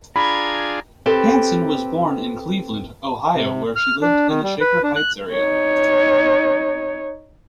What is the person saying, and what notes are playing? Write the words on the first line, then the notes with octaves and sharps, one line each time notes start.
Hanson was born in Cleveland, Ohio, where she lived in the Shaker Heights area.
D4 F4 G#4 A#5 B5 G#6
C4 G4 A4 B4
C3
F6
D4
D#3
G3
B4
D4
F#6
D#4 C#5